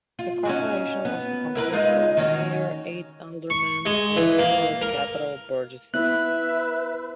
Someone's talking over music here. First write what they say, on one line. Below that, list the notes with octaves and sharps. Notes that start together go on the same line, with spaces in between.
The corporation was to consist of a mayor, eight aldermen and twelve capital burgesses.
F4
C#4 D#4 F#4
B3
E4 A#4 B4
G#3 D#4 F4
D#3 C#4 F#4
C#6
G#3
E3
A#3
A#4
B3 E4 B4 E5 F#6